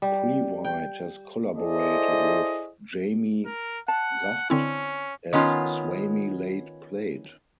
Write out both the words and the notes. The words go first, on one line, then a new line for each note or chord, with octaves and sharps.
Previte has collaborated with Jamie Saft as Swami Late Plate.
G3
G5
E4 G#4 A4 C5 D5 D#5
A#4
F#5 A5
D3 C4 C#4 E4
D#3 B3 C#4 F4